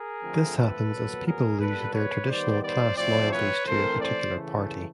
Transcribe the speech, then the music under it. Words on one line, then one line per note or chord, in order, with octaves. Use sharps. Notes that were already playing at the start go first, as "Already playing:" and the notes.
This happens as people lose their traditional class loyalties to a particular party.
Already playing: G#4 A#4
D3 F3 A3 C4
A4 B4
A#2 F#3 B3
G#4 A#4
A#2 G3 B3 A4 B4
B4 C#5
D#3 G3 B3 C5 D5
C5 D5
A2 F3 A3 C4 C5 D5
B4 C#5
E3 A3 C4 A#4 C5
C5 D5
C#3 E3 A3